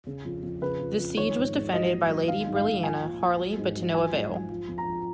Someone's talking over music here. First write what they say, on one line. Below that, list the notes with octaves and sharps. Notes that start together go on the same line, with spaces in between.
This siege was defended by Lady Brilliana Harley but to no avail.
C#3
F2
F2
C#3 B4
F2
F2
D#3 C#5
G#2
G#2
F#3 D#5
A#2
F#3
D#3 F5
G#2
F5
G#2
F3 G#5
A#2
F3
F#3
G#2
F#3
F3 G#5
G#2
F3
F3
F2
A#5
F3